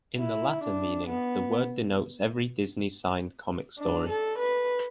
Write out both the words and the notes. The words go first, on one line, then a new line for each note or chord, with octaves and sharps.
In the latter meaning, the word denotes every Disney signed comic story.
E4
D4
B3
D4
A4
B4